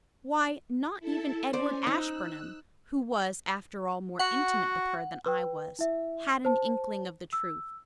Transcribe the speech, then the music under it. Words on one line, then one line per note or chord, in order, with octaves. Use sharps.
Why, not even Edward Ashburnham, who was, after all more intimate with her than I was, had an inkling of the truth.
E4 A4 A5
C#4 C5 D5 G#5
D#4 E6 F#6
F#4 F#5
B4 G5
E4 E5
C5 A5
E6